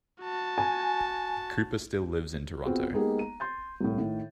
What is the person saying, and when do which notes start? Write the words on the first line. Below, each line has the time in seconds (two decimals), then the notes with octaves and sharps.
Cooper still lives in Toronto.
0.21 F#4 A5
0.58 G#5
2.66 B3 C4 F4 F#4 G#4 C5
2.94 G#3 A#3 B3 D#4 G4 G#4
3.19 A#5 D#7
3.40 C6 G6 A6
3.81 C2 A2
3.98 A2 D#3